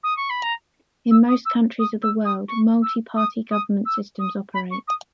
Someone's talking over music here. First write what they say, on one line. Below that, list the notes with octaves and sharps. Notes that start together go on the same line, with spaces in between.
In most countries of the world, multi-party government systems operate.
D#6
C#6
B5
A#5
E6
D#6
E6
D#6
E6
D#6
C#6
E6
D#6
D#6
E6
D#6
B5
C#6
D#6